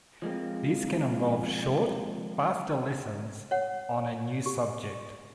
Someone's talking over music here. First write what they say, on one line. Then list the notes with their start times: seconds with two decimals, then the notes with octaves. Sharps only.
These can involve short, faster lessons on a new subject.
0.22 F3 G#3 A#3 C4
3.51 C#5 F#5
4.46 G4